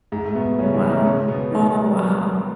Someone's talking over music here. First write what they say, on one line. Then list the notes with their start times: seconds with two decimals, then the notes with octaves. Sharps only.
Wow. Oh wow.
0.12 G#2 G#3
0.24 A3
0.35 B2 B3
0.59 C#3 C#4
0.74 E3 E4
0.86 E4
0.89 D#3 D#4
1.05 C#3 C#4
1.28 B2 B3
1.51 D#3 D#4